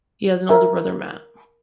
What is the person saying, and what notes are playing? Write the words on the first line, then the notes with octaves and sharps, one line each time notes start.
He has an older brother, Matt.
A#4 E5 G#5